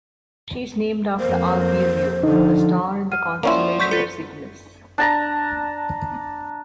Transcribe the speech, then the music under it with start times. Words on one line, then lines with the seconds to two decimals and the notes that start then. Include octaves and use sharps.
She is named after Albireo, a star in the constellation of Cygnus.
1.20 F2 A#3 C5
2.23 D3 F3 D#4
3.12 F#5 F6 D#7
3.43 F3 A#3 C#4 E4 C5 D5 F#5 C6
3.80 F#3 A3 C#6 G6 B6
3.91 F4 A4 B4
4.98 D4 A5 A#5